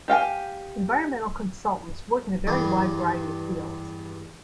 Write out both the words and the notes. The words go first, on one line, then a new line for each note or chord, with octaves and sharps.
Environmental consultants work in a very wide variety of fields.
G4 F5 G5 G#5
E2 G2